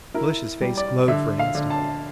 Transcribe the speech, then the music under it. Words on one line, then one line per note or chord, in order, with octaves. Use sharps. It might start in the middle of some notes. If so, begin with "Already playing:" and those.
Felicia's face glowed for an instant.
E4 A#4
G3
D5
D3 E5
F5
D3
A5